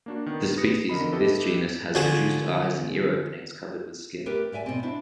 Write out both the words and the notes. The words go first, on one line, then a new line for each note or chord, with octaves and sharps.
The species in this genus has reduced eyes and ear openings covered with skin.
A#3 D4 F#4
D#3 B3
G#4 B4 D#6 A#6 C#7
D3 A#4 D#5 B5
E4 G4 A4 B4 D#5
D3 F3 F#4 G#4
A3 G4 A#4 B4
G4 D5 E5 G#5
B2 C4
D4 E4 F#4 C5